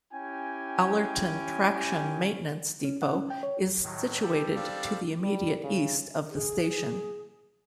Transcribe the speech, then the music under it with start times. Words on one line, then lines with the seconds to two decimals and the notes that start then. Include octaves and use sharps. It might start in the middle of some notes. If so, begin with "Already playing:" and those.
Allerton Traction Maintenance Depot is situated to the immediate east of the station.
0.13 C#4 E4 G4 G5 G#5
2.84 C#4
3.02 F#5
3.15 C#4
3.30 G5
3.43 C#5
3.83 A2 D#3 F#3
4.22 G3 G4 A4
4.56 C4 D4 F4
5.23 G3
5.64 C#3
6.31 G#4